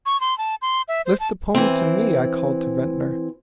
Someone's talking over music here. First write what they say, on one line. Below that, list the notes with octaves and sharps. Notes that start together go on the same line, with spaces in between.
"Lift the pony to me," I called to Ventnor.
C#6
C6
A5
C6
E5
C5
A5
E3 C4